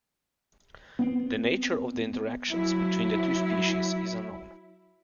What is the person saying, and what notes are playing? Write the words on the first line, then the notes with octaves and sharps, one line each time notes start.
The nature of the interactions between the two species is unknown.
B3 C4
F#3 E4